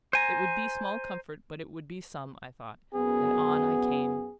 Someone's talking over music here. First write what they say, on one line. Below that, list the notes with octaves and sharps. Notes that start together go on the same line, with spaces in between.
It would be small comfort, but it would be some, I thought, and on I came.
C5 G#5 A#5
F#2 B3 G#4